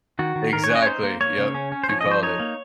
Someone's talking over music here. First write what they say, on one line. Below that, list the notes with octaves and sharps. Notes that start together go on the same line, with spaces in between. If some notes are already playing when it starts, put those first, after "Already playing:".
Exactly, yep, you called it.
D#3 F#4
D#3
D#3 A#4
C#5
C#4 D#5
C#5
D#4 C5
A#3
A#3 C#5
C#3
C#4
C#4
C5
F3 C#5
D#5
F3
C5
D#4 C#5
A#3